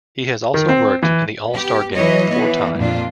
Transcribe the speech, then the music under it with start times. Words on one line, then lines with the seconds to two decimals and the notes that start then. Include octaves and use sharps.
He has also worked in the All-Star Game four times.
0.54 D#3
0.69 C4
1.03 E3
1.49 B3 G4
1.95 E3 F#3 C#5 D#5
2.33 E3 B3
2.78 F2 A#2 D4 F4